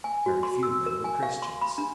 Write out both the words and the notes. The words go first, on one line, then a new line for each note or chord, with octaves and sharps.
Very few of them were Christians.
G#5
F#4
C6
E6
A#4
G#5
F5
C6
B5
D4